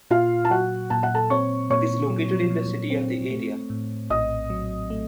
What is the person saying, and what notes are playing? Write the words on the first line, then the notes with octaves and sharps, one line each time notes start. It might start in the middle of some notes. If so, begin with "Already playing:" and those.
It is located in the city of the area.
A#2 F4 F5
A5
F#3 F#4 F#5
A#2 A5
F#5
A4 A5
C4 C#5 C#6
A#2 C#5 C#6
F#3
A#2
C4
A3
A2
A#1 D#5 D#6
F#3
A3